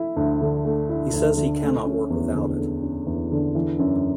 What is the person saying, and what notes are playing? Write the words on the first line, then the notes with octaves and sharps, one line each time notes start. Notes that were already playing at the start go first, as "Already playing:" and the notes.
He says he cannot work without it.
Already playing: A3 E4
D2
D3
A3
E4
D2
D3
A3
C#4
E2
D3
A3
C#4
E2
D3
E3
F#2